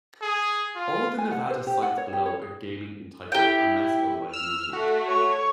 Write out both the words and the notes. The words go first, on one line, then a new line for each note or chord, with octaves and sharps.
All the Nevada sites below are gaming-entitled, unless otherwise noted.
G#4
F4
G#5
F#5
C5
G4
F#5
C#5
G4
C#5
G#4
E4 G4 G5
E6 F6
A3 F#4
C#5